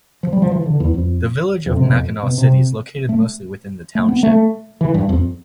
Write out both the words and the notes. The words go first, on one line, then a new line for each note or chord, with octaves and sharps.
The village of Mackinaw City is located mostly within the township.
F3
G3
F3
E3
D3
E2
F2
F2
C3
B2
F2
B2
C3
A3
A3
B3
A3
E3
G2
F2